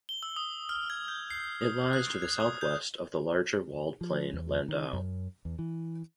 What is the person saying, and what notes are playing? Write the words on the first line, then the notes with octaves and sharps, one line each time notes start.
It lies to the southwest of the larger walled plain Landau.
G7
E6
D#6
F6
G#6
G6
C7
D#6
F#6
G#6
D#6
G6
F3
E2
D#3
F#2
E2
E3